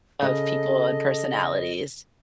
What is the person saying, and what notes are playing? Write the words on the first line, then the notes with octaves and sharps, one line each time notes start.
of people and personalities.
C#3 A4 D#5